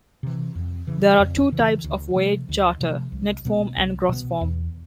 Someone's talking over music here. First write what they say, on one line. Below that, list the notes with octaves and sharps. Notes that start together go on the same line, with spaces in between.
There are two types of voyage charter - net form and gross form.
C3 E3
F2
C#3 E3
F2
C#3 E3
D2
C3 F3 A3
D2
C3 F3 A3
C2
B2 G#3 B3
C2
B2 G#3 B3
E2